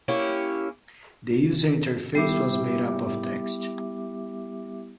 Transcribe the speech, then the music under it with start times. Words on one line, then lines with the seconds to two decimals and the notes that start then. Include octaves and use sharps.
The user interface was made up of text.
0.08 A#3 C#4 E4 G4
2.15 G3 B3 E4 G4 E5 D6